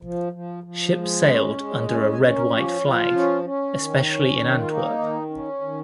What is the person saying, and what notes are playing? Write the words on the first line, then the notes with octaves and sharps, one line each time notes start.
Ships sailed under a red-white flag, especially in Antwerp.
F3
F3
F3
G#3
C#4
G#3
C#4 G#5
G#5
C#4
A#4
F3
G4
F3 F4
C#4
C#4
D#3
C#4
D#3
F4
A#3 D#4
D#3
C#4
D#3